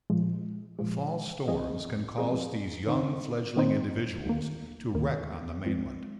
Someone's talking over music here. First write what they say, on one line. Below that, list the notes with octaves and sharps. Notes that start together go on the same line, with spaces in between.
Fall storms can cause these young fledging individuals to wreck on the mainland.
A#2 F3 G#3
A#2 F3 G#3
F3 C4 G#4 D#5
F3 C4 G#4 D#5
D#3 C4 D#4 C5
D#3 C4 D#4 C5
D#2 D#3 A#3
D#2 D#3 A#3
F3 G#3 C4